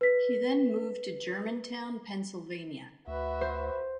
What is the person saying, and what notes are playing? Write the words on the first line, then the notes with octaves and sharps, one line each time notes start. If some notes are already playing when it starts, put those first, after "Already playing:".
He then moved to Germantown, Pennsylvania.
B4 B6
D2 F#4 B4 E5
C5